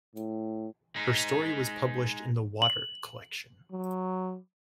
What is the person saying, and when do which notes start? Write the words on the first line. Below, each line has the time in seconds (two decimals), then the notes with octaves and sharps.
Her story was published in the 'Water' collection.
0.16 A2
0.96 G#3 D#4
2.62 F#7
3.71 F#3